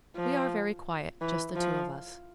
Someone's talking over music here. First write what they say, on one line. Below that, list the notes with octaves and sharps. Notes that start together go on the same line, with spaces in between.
We are very quiet, just the two of us.
F3
E3
F3